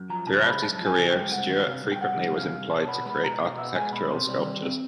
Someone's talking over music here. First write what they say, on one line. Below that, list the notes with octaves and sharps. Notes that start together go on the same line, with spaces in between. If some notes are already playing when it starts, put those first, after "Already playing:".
Throughout his career Stewart frequently was employed to create architectural sculptures.
Already playing: F#2
F3 A#5
C#3 A5
G#3 B5
F#2 A5
F3
G#5
C#3
G5
G#3
C2 F#5
D#3
C3 F5
C2
G5
C2 F#5
D#3
C3 F5
C2
B2 A5
B3 B5
G#3 B5
B2 A#5
B2 F5
B3 E5
G#3 G#5
B2 B5
C3 C6
G3
D#3
C4